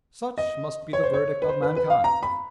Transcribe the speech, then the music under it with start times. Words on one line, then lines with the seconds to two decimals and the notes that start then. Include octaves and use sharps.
Such must be the verdict of mankind.
0.38 D#5
0.93 C#5
1.03 C5
1.14 C#5
1.42 B4
1.49 C5
1.62 B4
1.76 B4
1.90 F5
2.04 A#5
2.23 B5